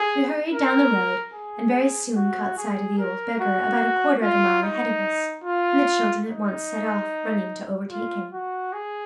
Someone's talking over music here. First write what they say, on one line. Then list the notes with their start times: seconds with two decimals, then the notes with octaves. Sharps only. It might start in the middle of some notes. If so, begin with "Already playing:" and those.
We hurried down the road, and very soon caught sight of the old Beggar, about a quarter of a mile ahead of us, and the children at once set off running to overtake him.
Already playing: G#4
0.53 A#4
1.34 G#4
2.16 F#4
2.57 G#4
2.98 A#4
3.40 F#4
4.22 F4
4.63 D#4
5.44 F4
6.27 D#4
7.91 F4
8.33 F#4
8.73 G#4